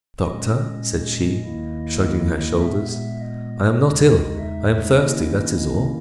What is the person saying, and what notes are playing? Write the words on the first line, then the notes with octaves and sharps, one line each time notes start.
"A doctor?" said she, shrugging her shoulders, "I am not ill; I am thirsty--that is all."
A#2 G#3 C#4 D#5
D#2 D#3 A#3 E4
D#5
A#2 G#3 B3 E5
E5
D#5
E2 C#3 G#3 D#4
E5
D#3 A#3 C#4 E4 D#5
D#5